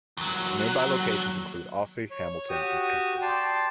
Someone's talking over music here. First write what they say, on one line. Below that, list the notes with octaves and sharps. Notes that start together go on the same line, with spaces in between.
Nearby locations include Ouse, Hamilton and Kempton.
D#2 F#3
C#5
F#4 G4 D#6
D5 G5 A5 C6